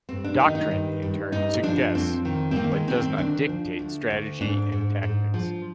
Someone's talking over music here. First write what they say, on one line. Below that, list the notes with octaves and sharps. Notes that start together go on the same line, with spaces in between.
Doctrine, in turn, suggests but does not dictate strategy and tactics.
G2 C4
D4
D#3 D#4
D#4
G2
G2
G2 D#4
F3 D4
F2 C4
D#3
C4
D#3 A#3
G#3
D#3 C4
C4
D2 D4
F3
D2
D2
G#2 D4
G#2
G#2
F3